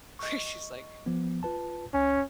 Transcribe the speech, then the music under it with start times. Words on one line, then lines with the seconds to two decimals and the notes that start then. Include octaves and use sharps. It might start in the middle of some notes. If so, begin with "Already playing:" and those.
Where she's, like
0.19 D#5 C#6
1.06 F3 B3
1.43 F4 B4 A5
1.94 C#2 C#4 G#5